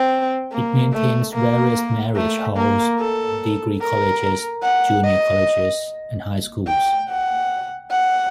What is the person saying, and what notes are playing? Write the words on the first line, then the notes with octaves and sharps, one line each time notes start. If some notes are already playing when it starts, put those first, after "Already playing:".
It maintains various marriage halls, degree colleges, junior colleges and high schools.
Already playing: C4
A#3
A3
A#3
A3
A#3
A4
A#4
F#5
D#5
G5
F#5
F#5